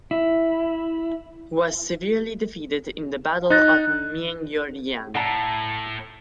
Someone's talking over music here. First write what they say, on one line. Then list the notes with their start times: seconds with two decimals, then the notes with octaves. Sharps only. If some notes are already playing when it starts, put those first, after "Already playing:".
He was severely defeated in the Battle of Myeongryang.
0.11 E4
3.50 D#4 F#6 A6 A#6
5.15 A2 F#5 A5 A#5